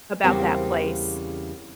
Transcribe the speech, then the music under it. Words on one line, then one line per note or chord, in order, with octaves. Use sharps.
about that place.
E2 C#3 G3 A#3 C4